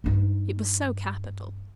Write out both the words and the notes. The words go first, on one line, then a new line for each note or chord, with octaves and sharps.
It was so capital!
G2 D#4